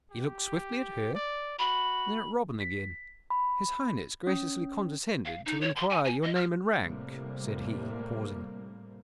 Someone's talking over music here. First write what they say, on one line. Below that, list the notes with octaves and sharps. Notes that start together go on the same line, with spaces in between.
He looked swiftly at her; then at Robin again. "His Highness graciously condescended to enquire your name and rank," said he, pausing.
G4
D5
F#4 B5
B6
B5
C#4
F5
D#4
C#5
C6
G#5
G#5
D#5
F6
A2 C3 G3 A#3